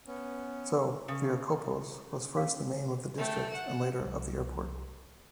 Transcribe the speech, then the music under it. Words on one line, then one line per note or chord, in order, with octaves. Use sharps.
So "Viracopos" was first the name of the district and later of the airport.
B3 C#4
C#3
C#4 G#4 F5
A3 G5
F#5 E7
C2 F3